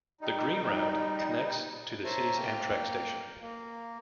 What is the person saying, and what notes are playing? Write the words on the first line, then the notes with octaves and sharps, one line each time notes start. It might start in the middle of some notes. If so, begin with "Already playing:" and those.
The Green Route connects to the City's Amtrak station.
G3 D#4
A#4 C5 C#5 E5 A5 A#5
A#3 G5 F6
A#3